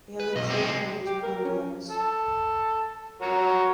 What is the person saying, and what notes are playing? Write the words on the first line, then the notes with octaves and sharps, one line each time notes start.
Elegy and condolence.
B4
B1 D#5
C3 G#3 C4
G#3
G4
A#4
C#4
A4
F#4 A#4 C#5